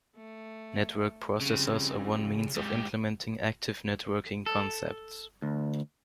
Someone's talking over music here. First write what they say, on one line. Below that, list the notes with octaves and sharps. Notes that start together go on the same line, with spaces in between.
Network processors are one means of implementing active networking concepts.
A3
F2 C#3 G3 C4
G#2 G4
A4
D2